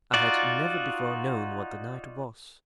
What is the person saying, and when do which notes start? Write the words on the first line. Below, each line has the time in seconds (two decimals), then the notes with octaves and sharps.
I had never before known what the night was.
0.14 D#4 F4 F#4 D5